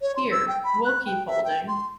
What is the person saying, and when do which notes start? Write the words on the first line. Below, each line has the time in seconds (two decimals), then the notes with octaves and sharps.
Here, we’ll keep holding.
0.01 C#5
0.16 C6
0.31 E6
0.48 G5
0.64 B5
0.85 F#6
1.06 G5
1.27 E5
1.45 G5
1.68 C6